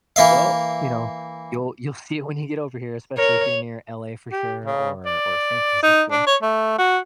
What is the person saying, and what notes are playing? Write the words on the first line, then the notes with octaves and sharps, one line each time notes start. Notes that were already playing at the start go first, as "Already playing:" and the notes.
Well, you know, you'll you'll see it when you get over here, especially if you're near LA for sure or or San Francisco.
E3 A#3 E5 F5
A#4 C#5
G4
C#3
D5
D#4
D4
C#5
A3
F#4